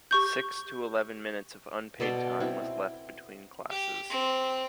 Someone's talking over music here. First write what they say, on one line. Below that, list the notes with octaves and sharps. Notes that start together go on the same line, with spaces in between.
Six to eleven minutes of unpaid time was left between classes.
G4 C#6 G6
B2 A4 D5 C6
C4 E4
G4
C4